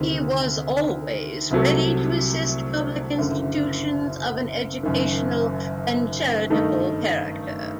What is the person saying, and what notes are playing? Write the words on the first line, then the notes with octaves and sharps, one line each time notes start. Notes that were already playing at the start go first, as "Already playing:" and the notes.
He was always ready to assist public institutions of an educational and charitable character.
Already playing: D2 C3 D#3
C2 C3 F#3 A3
F#1 F#2 D3
F#1 F#2 D#3
G2 D#3 A3 D#4